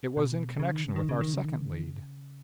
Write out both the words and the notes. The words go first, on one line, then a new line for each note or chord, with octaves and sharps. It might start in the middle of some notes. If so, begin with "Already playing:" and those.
"It was in connection with our second lead."
B2
C#3
D#3
C#3
D#3
C#3
D#3
C#3
D#3
C#3
D#3
C#3